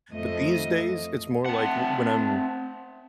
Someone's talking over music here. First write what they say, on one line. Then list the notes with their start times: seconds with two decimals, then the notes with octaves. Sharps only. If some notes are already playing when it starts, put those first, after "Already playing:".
But these days it's more like w when I'm
0.12 F2 F3 A3 D#5
1.46 C4 E5 F#5 A5